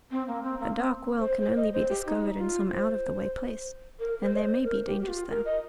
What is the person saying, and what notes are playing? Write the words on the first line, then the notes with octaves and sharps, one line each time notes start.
"A dark well can only be discovered in some out-of-the-way place, and there may be dangers there."
C4
A#3
C4
A#3
C4
C5
C5
D#5
C5
G4
D#4
F4
C5
A#4
C5
D#5
C5
A#4
G4
G4
F4
A#4
D#5